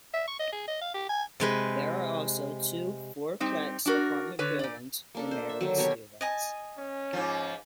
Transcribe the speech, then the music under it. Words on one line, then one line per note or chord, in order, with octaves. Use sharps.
There are also two four-plex apartment buildings for married students.
E5
C#6
D#5
G#4
D#5
F5
G4
G#5
C3 G#3 B4
G3 C4 D#4
D4 F#4 A#4
D3 B4 C#5
A#2 D5
A#3 D4 A4
C5
E5
D3 D#3 F#3
B2 F#4 G4 C#5
D#5 G#5 A5
C#4
G#2 F3